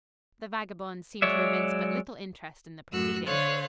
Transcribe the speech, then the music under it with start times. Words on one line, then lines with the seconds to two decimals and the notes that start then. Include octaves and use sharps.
The vagabonds seemed to evince but little interest in the proceedings.
1.22 F#3 G#3 C#5 D5 E5
2.92 F#2 A2 F#4 E6 F#6
3.26 D3 A4 C5 C#5 F5 F#6